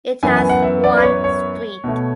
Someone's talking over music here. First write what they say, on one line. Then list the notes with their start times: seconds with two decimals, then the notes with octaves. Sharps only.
It has one street.
0.23 F#2 E3 B3 G#5
0.36 G#5
0.49 F#5
0.62 E5
0.84 D5
0.97 B4
1.03 C#5
1.24 C#5
1.84 B2 A3